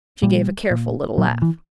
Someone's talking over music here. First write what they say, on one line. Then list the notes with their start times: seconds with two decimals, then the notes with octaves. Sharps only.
She gave a careful little laugh.
0.22 A#2 G3
0.71 A#2
1.18 A#2 F#3
1.42 E3